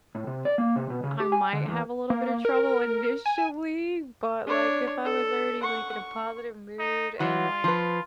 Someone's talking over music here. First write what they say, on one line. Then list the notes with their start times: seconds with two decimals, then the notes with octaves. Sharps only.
I might have a little bit of trouble initially, but, like, if I was already, like, in a positive mood and, like,
0.15 A2
0.27 C3
0.45 D5
0.58 A#3
0.76 C3
0.90 B2
1.04 C#3
1.20 G4
1.32 G#5
1.53 D3
1.68 E2
2.10 A#3
2.45 A#4
3.26 G#5
4.47 D4 C#5
5.04 A4
5.63 F#5 C#6
5.95 C#6
6.79 D#4
7.20 E3 F#3 F4
7.64 F3 B4